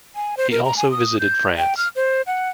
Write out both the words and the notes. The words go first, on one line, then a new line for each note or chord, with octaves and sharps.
He also visited France.
G#5
C5
A#4
A#5
G#5
D#6
G6
G5
F6
C5
F#5